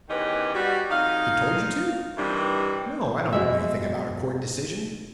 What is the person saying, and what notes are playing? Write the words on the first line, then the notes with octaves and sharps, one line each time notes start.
He told you to!--No, I dunno anything about a court decision.
E2 D#3 C#4 G4 B4 D#5
G3 F#4
F2 D#4 D#5 F5
G2 C3 D#3 E3 G3
B2 G#3 E5